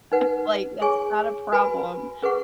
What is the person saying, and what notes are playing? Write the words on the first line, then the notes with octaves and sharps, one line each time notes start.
I'm like, "That's not a problem."
D#4 B4 F#5
G#4 C#5 G#5 C#6
F#4 B4 G#5 B5
C#4 G#4 B4 F#5 C#6